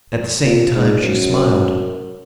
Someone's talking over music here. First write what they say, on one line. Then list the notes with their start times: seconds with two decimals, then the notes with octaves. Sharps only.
At the same time she smiled.
0.46 A#2
0.74 G#2
1.03 F#2